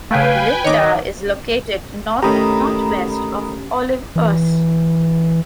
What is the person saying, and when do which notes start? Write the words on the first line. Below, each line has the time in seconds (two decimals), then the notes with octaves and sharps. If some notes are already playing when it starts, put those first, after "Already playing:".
Linda is located north-northwest of Olivehurst.
0.11 C#3 A3 B4 F5 G5 G#5
0.64 D#3 C#5 D#5 D6
2.23 A2 D#3 C#4 G4 A#5 B5 D#6
4.16 E3